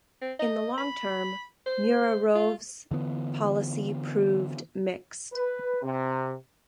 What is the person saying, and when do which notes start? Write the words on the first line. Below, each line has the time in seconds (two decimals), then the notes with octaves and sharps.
In the long term, Muravyov's policy proved mixed.
0.21 C4
0.39 D#5
0.78 B5
1.66 C5
2.35 F4
2.91 D3 E3 B3
5.33 B4
5.82 C3